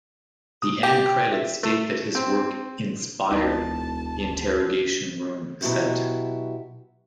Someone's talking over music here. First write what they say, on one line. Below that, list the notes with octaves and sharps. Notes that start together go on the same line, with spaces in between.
The end credits state that his work "inspired" the Interrogation Room set.
D#6
G4
E5
A3
C4
E1 D2 D#4 A5
B2 F#3 E4 F#4 G4